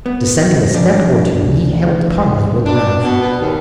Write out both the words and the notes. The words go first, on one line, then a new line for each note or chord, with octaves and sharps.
Descending a step or two he held parley with Ralph.
B3
C#3 F3 D4
D2
D4
B2
B3
D#2